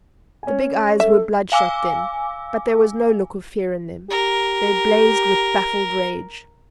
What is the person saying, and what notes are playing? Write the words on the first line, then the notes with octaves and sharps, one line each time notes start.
The big eyes were blood-shot then, but there was no look of fear in them--they blazed with baffled rage.
C#4 G#5
A4 E5
F5 G#5 D6 E6
G4 A#4